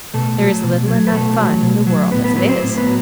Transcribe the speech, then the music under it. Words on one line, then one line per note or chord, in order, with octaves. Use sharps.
There is little enough fun in the world as it is.
B2 A3 A4
F#3
B2
F#3
B4
B2 A3 A4
F#3
B2
F#3
A2 B3 B4
B3 B4
F#3 B3 B4
C4 C5
A2
B3 B4
F#3